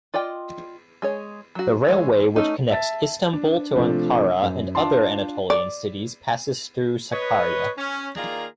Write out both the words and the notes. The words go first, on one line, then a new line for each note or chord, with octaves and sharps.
The railway which connects Istanbul to Ankara and other Anatolian cities passes through Sakarya.
F4 D5 D#5 G5
G#3 G#4 C#5
F#3 F#4
E3 G#3 C#5
A3 C#4 D#4
E5 A5 A6
D4
C3 F3 A3 D4
F#2
D4 F4 A5 C6
D5
B4 C#5 D#5
C#4
D#3 A#3 F4 G#4 D5 A#5